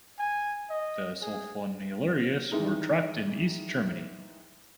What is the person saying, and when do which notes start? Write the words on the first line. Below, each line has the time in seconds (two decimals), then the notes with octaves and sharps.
The sulfonylureas were trapped in East Germany.
0.19 G#5
0.70 D#5
1.22 G#4
2.52 D#3 E3 G#3 D#4